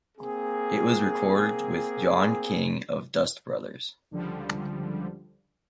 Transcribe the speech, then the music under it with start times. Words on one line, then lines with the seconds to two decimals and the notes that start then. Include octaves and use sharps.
It was recorded with John King of Dust Brothers.
0.18 A#3 C4 G#4
4.11 C#2 D3 F3 G3